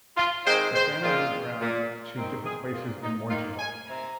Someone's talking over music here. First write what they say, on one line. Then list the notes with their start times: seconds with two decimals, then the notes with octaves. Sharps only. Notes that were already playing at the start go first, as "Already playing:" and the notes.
The family moved around to different places in Morgedal.
0.17 F4
0.46 D#3 G#3 C4 C5
0.75 C5
1.02 A#2 G#3 C4 F4
1.60 A#2 A#3
2.16 D#3 C4 A#4
2.45 G#4
2.73 A#2 A#3 F4
3.02 D#4
3.30 D#3 A#3 F4
3.59 G#5
3.87 C3 A#5